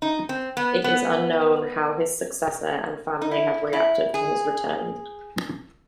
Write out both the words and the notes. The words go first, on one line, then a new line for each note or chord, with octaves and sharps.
It is unknown how his successor and family have reacted to his return.
D#4
C4
B3
B3
D#4
E4
E4
G#4